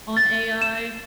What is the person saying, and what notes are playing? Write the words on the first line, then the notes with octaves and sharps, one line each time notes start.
on AI,
A6
E7